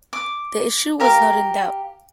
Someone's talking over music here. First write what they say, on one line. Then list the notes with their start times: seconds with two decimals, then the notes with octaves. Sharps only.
The issue was not in doubt.
0.13 D6
1.00 G4 A#4 F5